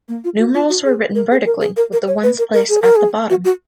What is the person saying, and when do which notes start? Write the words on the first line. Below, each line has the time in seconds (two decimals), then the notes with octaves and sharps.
Numerals were written vertically, with the ones place at the bottom.
0.08 A#3
0.24 F4
0.39 F#4
0.54 F4
0.69 F#4
0.85 G#4
1.15 A#4
1.31 G#4
1.46 A#4
1.61 G#4
1.77 A#4
1.93 A#4
2.07 C#5
2.23 B4
2.39 A#4
2.53 A#4
2.69 G#4
2.82 A#4
2.96 G#4
3.30 F#4
3.45 F#4